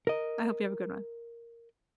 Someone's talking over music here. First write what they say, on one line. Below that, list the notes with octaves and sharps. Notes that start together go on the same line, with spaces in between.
I hope you have a good one.
A#4 D#5